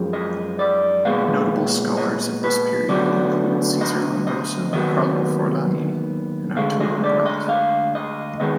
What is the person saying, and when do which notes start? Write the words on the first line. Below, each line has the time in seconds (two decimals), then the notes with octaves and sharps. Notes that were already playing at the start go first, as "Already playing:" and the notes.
Notable scholars of this period include Cesare Lombroso, Carlo Forlanini and Arturo Graf.
Already playing: F#2 F3 G#3
0.13 D#5
0.59 D5
1.05 A#2 G#3 B3 F5
1.97 D#5
2.44 B4
2.89 D2 D3 F#3 B3 D5
3.81 D#5
4.27 D#5
4.73 D#2 D#3 F#3 B3 D#5
6.56 D2 D3 G#3 F5
6.80 D#5
7.04 D5
7.26 D#5
7.49 F5
7.95 D#5
8.40 D#3 G#3 B3 D#5